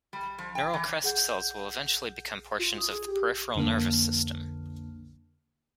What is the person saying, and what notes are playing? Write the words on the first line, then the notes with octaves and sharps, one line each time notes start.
Neural crest cells will eventually become portions of the peripheral nervous system.
G3
F3
G5
E3
G#4 F#5 G6
F4
D#6
G#4
G4
F2 D3 A#3